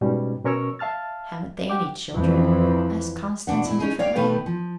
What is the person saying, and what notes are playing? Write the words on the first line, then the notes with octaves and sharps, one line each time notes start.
"Haven't they any children?" asked Constance indifferently.
G#2 B2 G3 C#4
B2 C#4 A#4 C#5 C#6 E6
E5 F5 A5 F6 A6
G4 F#5 G5 D6
F2 E3
B2 D#3 D4 F#5
A#2 E4
C#4 D#4 G#4
C#5 D5 F5 G5
B2 D#3 A3 G4 B4
F3